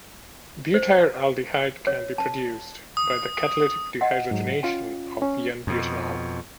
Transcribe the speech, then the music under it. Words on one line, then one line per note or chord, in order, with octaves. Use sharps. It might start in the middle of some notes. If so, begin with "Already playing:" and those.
Butyraldehyde can be produced by the catalytic dehydrogenation of "n"-butanol.
C5
C#5
A5
D#6
D#5 F#5
G#2 F#3
C#4 F4 G5
C#4
F2 B2